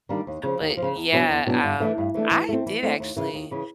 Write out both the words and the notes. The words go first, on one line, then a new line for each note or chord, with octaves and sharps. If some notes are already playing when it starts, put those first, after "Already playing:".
But, yeah, um, I did actually
D#3 G3 A#3 D4
D#2
C#3 F3
D#2
F3
C#3
E2
B2 F#3 B3 D4
E2
B2 F#3 B3 D4
G2
E3 A3 D4
G2
E3 A3 D4
E3
A3 C4
E3
A3 C4
D#2
C#3 E3
D#2
C#3 E3